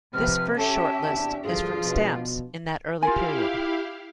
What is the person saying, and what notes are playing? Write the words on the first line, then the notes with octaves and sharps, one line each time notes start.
This first short list is from stamps in that early period.
C3 F3 B4 F6
C#4 G4 A4 E5 A5
E2 C3 D4
D2 G2 F3 D4 F4 G#4
B2
E4 F4 G4 A#4 F5 G#5